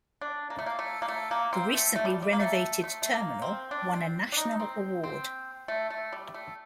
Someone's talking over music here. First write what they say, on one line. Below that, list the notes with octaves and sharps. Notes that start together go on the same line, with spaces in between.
The recently renovated terminal won a national award.
D4
A#3
A3
A#3
A3
A#3
A3
A#3
C4
A3
A3
G3
G3
A#3
A3
A3
A3
A#3
C4
D4
C4
D4
D#4
C4
C4
A3
A3
G3
A3